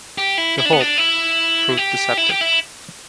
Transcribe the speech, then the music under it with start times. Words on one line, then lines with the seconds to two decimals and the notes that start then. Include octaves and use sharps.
The hope proved deceptive.
0.18 G4
0.38 E4
0.58 E4
0.65 D4
0.73 B3
0.81 D4
0.98 E4
1.77 G4
2.18 E4
2.29 G4
2.41 E4